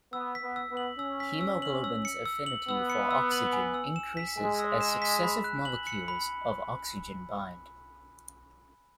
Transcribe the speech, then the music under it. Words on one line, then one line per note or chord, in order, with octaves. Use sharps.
Hemoglobin's affinity for oxygen increases as successive molecules of oxygen bind.
B3 E6
B6
B3
E6
B3
F#7
C#4 E6
B6
E6
F#7
E6
C#7
E6
F#7
B3 E6
C#7
E6
F#7
G#5
E6
E7
B6
G#3 G#5
E6
E7
B6
B5
F#6
F#7
C#7
B5